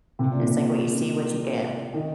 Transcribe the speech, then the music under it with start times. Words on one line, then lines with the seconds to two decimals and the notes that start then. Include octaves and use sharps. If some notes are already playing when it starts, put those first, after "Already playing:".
And it's, like, "What you see, what you get."
0.19 C3
0.31 A#2
0.43 C3
1.94 D#3